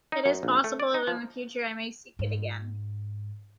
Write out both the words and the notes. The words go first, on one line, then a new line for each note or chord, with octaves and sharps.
It is possible that in the future I may seek it again.
D#4
F#2
A#1
A3
D5
D#4
F3
G#2